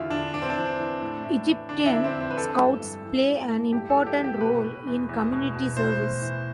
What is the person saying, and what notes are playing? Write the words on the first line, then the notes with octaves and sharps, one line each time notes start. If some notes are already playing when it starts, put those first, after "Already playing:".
Egyptian Scouts play an important role in community service.
Already playing: E2 D3 E4 F4
D3 D4
E3 D4
C4
D4
E3
E3
A2
A2
E3
D3 D4
D4
E4
D3
C4
F2
C4
B4
E3 A4
G2
G2
E3
A2
A2
G2 G4
A4
E3
G4
E3
G4
B2 B4
B2
E2
E2
B2
B2
A2 C5
A2
E3